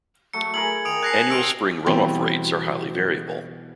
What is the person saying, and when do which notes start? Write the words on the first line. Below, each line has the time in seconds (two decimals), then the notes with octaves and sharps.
Annual spring run-off rates are highly variable.
0.34 F#3 A3 C#7
0.54 E4 G#4 A#4 F#7
0.85 D#3 D#6 D7 F7
1.02 G#5 A5 F#6 A#6 C7
1.30 C4 F4 E6 D7 F7
1.86 B2 E3 G3 C4